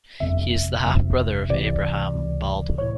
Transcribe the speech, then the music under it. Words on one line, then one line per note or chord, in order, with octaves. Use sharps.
He is the half-brother of Abraham Baldwin.
G1 F2 C3 E5
G1 F2 C3
C#2 C3 E3 D5
C#2 C3 E3
A2 C#5